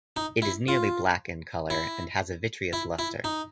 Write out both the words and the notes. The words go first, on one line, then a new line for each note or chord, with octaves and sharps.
It is nearly black in color and has a vitreous luster.
D#4
E4
F4
E4
E4
E4
D#4